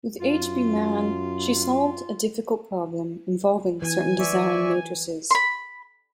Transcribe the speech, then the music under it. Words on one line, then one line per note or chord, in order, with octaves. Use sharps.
With H. B. Mann, she solved a difficult problem involving certain design matrices.
F#2 F4
E3 G#5
D5 E5 C#6
B5 C6